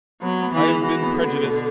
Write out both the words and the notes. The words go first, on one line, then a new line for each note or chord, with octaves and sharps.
I have been prejudiced.
F#3 B3
B3
E3
G#3
E3 F#4
B3
D3
B3
B2